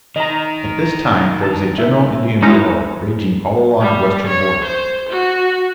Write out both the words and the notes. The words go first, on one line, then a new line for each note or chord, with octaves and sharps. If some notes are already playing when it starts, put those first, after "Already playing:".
At this time there was a general Indian war raging all along the western borders.
D#3 D#5 A#5
A5
E5
F#3 G#3 C#4 D#4 E4 F#4 A#5
G3
C#5
C5
F#4